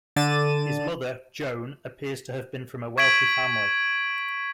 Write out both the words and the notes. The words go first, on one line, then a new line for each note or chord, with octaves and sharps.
His mother, Joan, appears to have been from a wealthy family.
D3 D5 A5 A6 D#7 E7
C#6 G#6 B6 D7 F#7